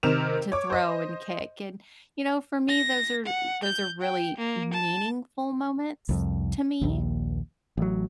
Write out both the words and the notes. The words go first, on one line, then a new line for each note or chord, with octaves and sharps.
to throw and kick, and, you know, for me, those are those are really meaningful moments to me,
C3 D#3 A#4 E7 F7
C#5 D6
C5 D#5
A#6
F#5
G6
G5
A#3
A5
C2 F2
A#1 D#2
A1 F#3